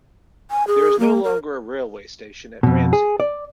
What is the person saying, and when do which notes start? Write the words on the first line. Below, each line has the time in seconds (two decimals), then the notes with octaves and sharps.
There is no longer a railway station at Ramsey.
0.51 G#5
0.67 G#4
1.00 A#3
1.24 A#4
2.63 F2 B2
2.93 G#4
3.20 D5